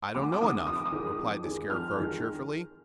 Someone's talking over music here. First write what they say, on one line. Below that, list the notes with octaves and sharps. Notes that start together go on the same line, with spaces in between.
"I don't know enough," replied the Scarecrow cheerfully.
D2 D6
D6
C3 D#3 D#6
F2 D#6
D6
D#6
D#3 G#3
F2
D#3 G#3
F2 F6
D#3 G#3